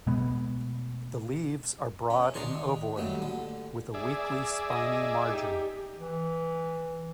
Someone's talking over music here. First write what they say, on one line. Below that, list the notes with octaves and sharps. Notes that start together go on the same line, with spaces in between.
The leaves are broad and ovoid, with a weakly spiny margin.
B2 G#3 A3 B3
C#4
D#3 D4 A#5 C6 C#6
D#2 F#3 G3 A3
D3
G#4 D5 E5
D#5
D#4 G4
E3